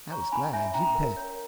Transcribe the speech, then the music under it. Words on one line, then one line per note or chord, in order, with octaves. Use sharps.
I was glad, you bet.
C#5 A#5 C#6
C#4 G#5 B5
C#5 E5 G#5
C#4 G5 A#5
A#4
C#5